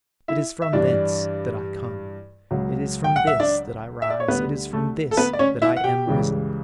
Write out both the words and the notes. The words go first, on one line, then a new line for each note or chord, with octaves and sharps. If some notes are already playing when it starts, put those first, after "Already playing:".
It is from thence that I come; it is from this that I rise; it is from this that I am risen.
E4 E5
E5
G2 E3 G3 D4 D5
C#2 C#3 F#3
G5
F#5
E5
D4 D5
E5
D5
C#5
D2 D3 G3 B3 B4
A3 A4
A4
B3 B4
D5
C#4 C#5
E4 E5
F#5
G4 G5
C#2 C#3 E3 G3